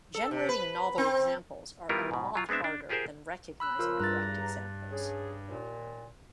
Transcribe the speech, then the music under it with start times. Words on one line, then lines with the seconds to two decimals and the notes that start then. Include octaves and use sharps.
Generating novel examples are a lot harder than recognizing correct examples.
0.15 A4
0.31 C3
0.49 B4
0.98 C4
1.89 D#3 G3 B3 E4 F4 A#4
2.11 G#2 B2
2.35 F#3 F4
2.49 G#3 B3 C4 D4 E5
2.64 D4
2.89 F4 G4 G#4 A#4 C5 G#5
3.60 B5 E6 F#6
3.79 C#2 C#3 F3 F4 A#4 E6
4.00 E2 G2 G3 A#5 F#6 A6
4.92 C#4 G#4
5.48 D#2 A#2